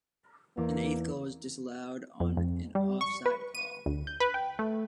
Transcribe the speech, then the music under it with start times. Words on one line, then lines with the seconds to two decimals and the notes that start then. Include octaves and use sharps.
An eighth goal was disallowed on an off-side call.
0.57 E2 A#3 F5 D6
2.20 F2
2.37 F2
2.75 G3
3.01 C#6
3.26 B4
3.55 D#7
3.86 D2
4.07 G6
4.20 B4
4.34 G5
4.59 A3